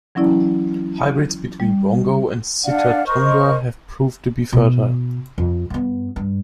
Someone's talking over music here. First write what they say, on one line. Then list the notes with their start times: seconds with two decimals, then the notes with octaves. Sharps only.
Hybrids between bongo and sitatunga have proved to be fertile.
0.15 E3 F#3 C#4 E4 D5
1.60 G3
2.64 D4 D5 F5 F#5
3.06 A#4 C5 D#5 C#6
4.52 B2 E4
5.38 F2
5.70 G2 B3
6.16 G2